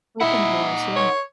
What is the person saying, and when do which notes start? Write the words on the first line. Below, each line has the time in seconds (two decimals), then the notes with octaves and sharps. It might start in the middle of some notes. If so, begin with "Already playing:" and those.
Open doors, yeah.
0.20 D#4 E4 F#5
0.96 C#5